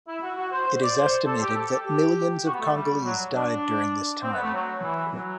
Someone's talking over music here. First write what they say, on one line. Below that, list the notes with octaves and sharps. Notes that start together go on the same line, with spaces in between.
It is estimated that millions of Congolese died during this time.
E4
F#4
F#4
C5
C5
D5
C5
A4
G4
A4
G4
F#4
B3
A3
G3
F#3
D4
C4
B3
A3
F#3
E3
F#3